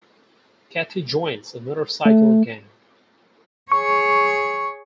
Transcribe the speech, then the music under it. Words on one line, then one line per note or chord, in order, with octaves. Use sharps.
Cathy joins a motorcycle gang.
A3
G#4 C#5 C#6